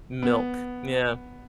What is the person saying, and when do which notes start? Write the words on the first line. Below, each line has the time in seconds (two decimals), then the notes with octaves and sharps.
Milk, yeah.
0.23 B3